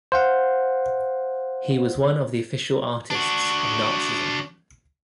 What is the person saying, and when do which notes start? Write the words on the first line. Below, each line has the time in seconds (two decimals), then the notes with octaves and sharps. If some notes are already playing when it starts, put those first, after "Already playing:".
He was one of the official artists of Nazism.
0.12 C5 F5 F#5
3.11 D4 F#4